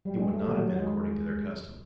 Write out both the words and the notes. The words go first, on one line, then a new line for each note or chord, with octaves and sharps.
It would not have been according to their custom.
F#3 G3
G3 G#3
G3 A3
D#3 A3
F#3
F#3
G#3